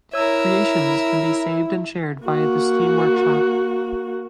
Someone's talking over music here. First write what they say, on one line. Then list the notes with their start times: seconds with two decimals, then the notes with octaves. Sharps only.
Creations can be saved and shared via the Steam workshop.
0.13 E4 A#4 C#5 E5 E6
2.24 A#3 F#4